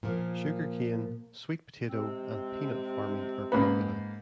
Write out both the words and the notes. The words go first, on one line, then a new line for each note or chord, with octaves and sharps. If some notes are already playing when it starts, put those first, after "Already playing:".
Sugar cane, sweet potato, and peanut farming are popular.
A#2 F3 A#3
C3 G#3 C4
G#2 A#3 C#4 B4 B5